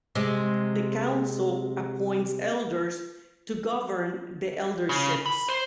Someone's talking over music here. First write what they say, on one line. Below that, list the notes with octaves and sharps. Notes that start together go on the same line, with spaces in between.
The council appoints elders to govern the elderships.
C3 G#3
C#3
B5
C5